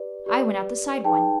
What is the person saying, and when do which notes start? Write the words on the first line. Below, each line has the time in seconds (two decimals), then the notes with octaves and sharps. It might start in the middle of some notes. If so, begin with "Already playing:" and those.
I went out the side one.
Already playing: G4 B4 D5
0.26 G4 B4 D5
1.04 D#4 G#4 B4 G5 A5